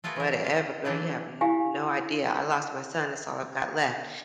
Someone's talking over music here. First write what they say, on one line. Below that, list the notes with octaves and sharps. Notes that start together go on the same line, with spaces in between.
"Whatever, girl, you have n no idea, I lost my son. That's all I've got left.
A3 F4 F#4 G#4 A#4 B4
E3 A#4
F4 C5
E3 F#3 D4 E4 F4
E4 G4 F5 G#5